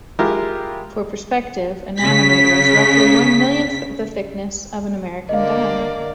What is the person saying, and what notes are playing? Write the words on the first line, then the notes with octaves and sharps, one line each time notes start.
For perspective, a nanometer is roughly one-millionth the thickness of an American dime.
G#3 E4 F4 G4 A#4
C#3 B6
D3 A#3 D5 D#5 F5